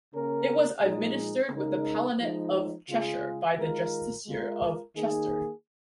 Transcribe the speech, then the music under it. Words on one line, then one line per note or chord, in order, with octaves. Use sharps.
It was administered with the Palatinate of Cheshire by the Justiciar of Chester.
C#3 A#3 C#4 A#4
A#2 F3 G#3 D#4 G#4
C#3 G#3 D#4 A#4
F3 G#3 D#4
C#3 G#3 F4 G#4
D#3 G#3 F4 A#4
G#3 F4 A#4
D#3 A#3 D#4 G#4